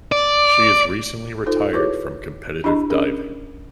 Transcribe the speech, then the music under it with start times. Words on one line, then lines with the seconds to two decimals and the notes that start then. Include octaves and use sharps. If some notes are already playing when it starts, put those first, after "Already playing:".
She has recently retired from competitive diving.
0.12 D5
1.46 D#4 F4 A4 C5
1.73 E4 F#4 G#4 B4 C#5 D6
2.64 D4 E4 G4 D#5 A#5 B5
2.90 C#4 D4 G#4 A#4